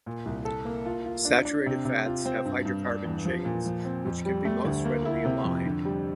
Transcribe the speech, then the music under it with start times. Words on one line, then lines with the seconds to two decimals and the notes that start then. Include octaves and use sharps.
Saturated fats have hydrocarbon chains which can be most readily aligned.
0.06 A#2
0.26 C2
0.45 A4
0.65 A#3
0.86 F4
1.06 F4
1.25 D4
1.45 D4
1.66 C3
1.85 C3
2.05 F4
2.26 C4
2.45 G2
2.65 G2
2.85 D4
3.05 E2
3.25 F3
3.45 A#2
3.65 F3
3.85 C4
4.05 F2
4.25 G3
4.45 A3
4.65 D2
4.85 A#3
5.05 E4
5.25 C3
5.45 F2
5.66 D3
5.85 G3